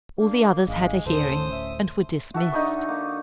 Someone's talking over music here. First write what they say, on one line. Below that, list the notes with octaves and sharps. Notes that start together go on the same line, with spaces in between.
All the others had a hearing, and were dismissed.
A#3 D4
G#1 G#3 F5
D2 A2 C#4 A4 C5 D#6
E5
F#4 A4 E5
D3 D#4 D#5 C#6
A#3